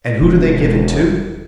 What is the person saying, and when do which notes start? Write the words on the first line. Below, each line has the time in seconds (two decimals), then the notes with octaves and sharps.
And who do they give it to?
0.21 E1